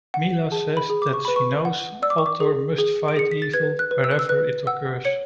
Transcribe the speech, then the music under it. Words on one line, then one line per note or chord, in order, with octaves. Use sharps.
Mila says that she knows Ator must fight evil where ever it occurs.
F#5
G#4 A5
B5
G#4
D6
C#6
B4 B5
C#6
F#5
D5 E6
D6
C#6
D6
G#4
G#4
D7
G#4 C#7
B6
A6
B4 G#6
F#6
B4
E6
F#6
E6
B4 F#6
F#5 E6
C#5 C#7